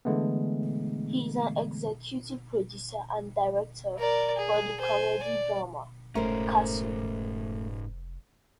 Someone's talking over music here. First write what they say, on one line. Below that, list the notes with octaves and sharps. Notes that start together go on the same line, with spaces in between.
He is an executive producer and director for the comedy-drama "Castle".
D3 E3 G#3 A3 B3
A#4 D5
G#4
C5 G#5
D5
F1 G#2 A3 C#4 A#4 C5